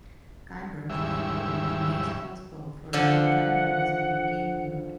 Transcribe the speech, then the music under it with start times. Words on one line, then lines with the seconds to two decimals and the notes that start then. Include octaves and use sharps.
Guybrush was included in GameSpot's vote for the all-time greatest video game hero.
0.90 D#2 G#2 C#3 G3 E4 E5
2.93 D3 F3 F#5